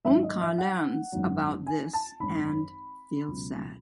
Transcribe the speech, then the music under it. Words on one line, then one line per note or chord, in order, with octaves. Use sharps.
Omkar learns about this and feels sad.
G#1 G#2 F#3 E5
D#5
E5
F#5
G#1 F#2 D#3 F#3
G#5
A5
G#1 F#2 D#3 B5
C#2 B2 F#3